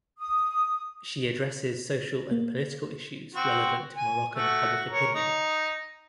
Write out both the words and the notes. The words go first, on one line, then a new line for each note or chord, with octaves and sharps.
She addresses social and political issues relevant to Moroccan public opinion.
D#6
A#3
C4 F#4
G#5
A3 F#4
A#4 C#5
D#4